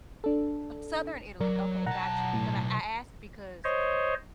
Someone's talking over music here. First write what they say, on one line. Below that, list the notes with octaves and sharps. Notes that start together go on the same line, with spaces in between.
Southern Italy. Okay, gotcha, because I I asked because
D4 A4
F#3 A#4 D5
B1 F#5 A5 A#5
A2
C5 C#5 D#5